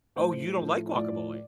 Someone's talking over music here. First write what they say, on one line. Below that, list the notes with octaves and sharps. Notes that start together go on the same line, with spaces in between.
Oh, you don't like guacamole.
A2 F3 A3 C5
A2 F3 A3
A2 F3 A3 D5